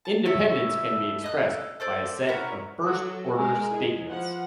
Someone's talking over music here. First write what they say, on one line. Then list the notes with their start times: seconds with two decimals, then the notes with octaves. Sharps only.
Independence can be expressed by a set of first-order statements.
0.05 A5
0.25 E4 A4 C#5 E5
1.22 A4 D#5 F#6
1.80 A4 C5 D5
2.29 C#4 E4 F#4 A#4
2.84 F#3 F#4 A4
3.35 G#3 A#4 D5 G#5 A#5
3.71 E4 G#4 D#5
4.07 F3 B4 F#5